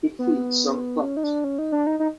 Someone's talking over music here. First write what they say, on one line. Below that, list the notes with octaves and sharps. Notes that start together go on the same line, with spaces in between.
It feeds on plankton.
B3
C#4
D#4
D4
C#4
D#4
D4
D#4
D#4